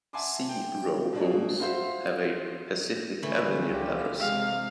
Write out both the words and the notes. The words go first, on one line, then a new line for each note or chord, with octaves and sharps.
C row homes have a Pacific Avenue address.
E5 F#5 G#5 A5 C6 D6
G5
B2 D4 G#4
F4 F#4 C5 E5 F5
D3 E3 A3 B5
C#2 D3 F4 G4
C3 G#3 F5